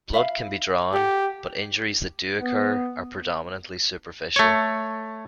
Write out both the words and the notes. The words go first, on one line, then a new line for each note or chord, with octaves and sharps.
Blood can be drawn, but injuries that do occur are predominantly superficial.
E5 F5 B5
G4 A4 F#5
B3
A3 C#5